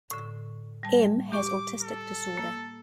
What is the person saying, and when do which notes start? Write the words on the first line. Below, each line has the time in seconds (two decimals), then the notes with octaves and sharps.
M has autistic disorder.
0.11 A2 D3
0.83 G3 A5
1.32 G4 C#6 D6
1.82 A4
2.38 A#3